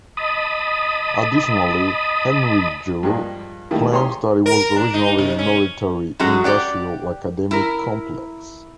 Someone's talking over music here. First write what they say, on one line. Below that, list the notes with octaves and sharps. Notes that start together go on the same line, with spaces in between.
Additionally, Henry Giroux claims that it was originally "military-industrial-academic complex".
D#5 A5 B5 D#6
G2 F3 G#3 A#3
D#3 G3 A3 A#3 E4
G4 G#4 C#5 A#5 C6
A#4
D4
D#4
C3
C#4
F#3 G#3 C#4 F#4 A4
G4 D5 F#5
E4 A#4